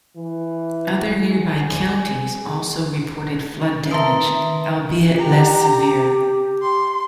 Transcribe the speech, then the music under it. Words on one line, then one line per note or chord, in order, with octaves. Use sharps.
Other nearby counties also reported flood damage, albeit less severe.
E3
G#4
D#3 B4 E5 A5 A#5 C6 D#6
G4 A#5
C6